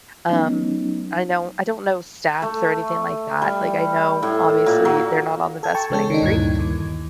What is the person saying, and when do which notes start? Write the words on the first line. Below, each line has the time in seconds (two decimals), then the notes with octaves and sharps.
Um, I know I don't know stats or anything like that. Like, I know, obviously, they're not on the best winning streak,
0.30 F#3 A3 B3 C#4 D#4
2.42 A3
3.42 G3
4.23 A2
4.66 A#2
4.85 F#3
5.63 A4 G#6
5.74 G5 A5 C#6
5.90 C#3 G#3 C#4 A4
6.10 D#3 D4 D#4
6.22 D2 G2 A#2 E3 G#6
6.59 D#2 E3